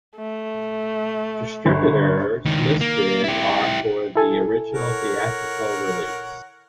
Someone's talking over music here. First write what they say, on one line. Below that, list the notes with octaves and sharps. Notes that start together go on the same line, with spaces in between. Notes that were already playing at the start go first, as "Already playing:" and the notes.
Distributors listed are for the original theatrical release.
A3
G1
C#2 D#3
A#3
E4 G4
E4 A4 G#5
A#4 C#5 F#5